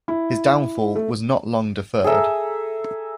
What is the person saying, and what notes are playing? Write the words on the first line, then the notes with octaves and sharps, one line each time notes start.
His downfall was not long deferred.
E4
A3
G#4 A4 E5 A#5